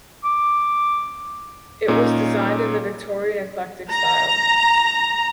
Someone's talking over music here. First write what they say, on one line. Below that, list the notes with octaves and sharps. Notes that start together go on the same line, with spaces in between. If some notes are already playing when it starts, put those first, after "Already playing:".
It was designed in the Victorian Eclectic style.
D6
A#2 C#4 D#4
A#5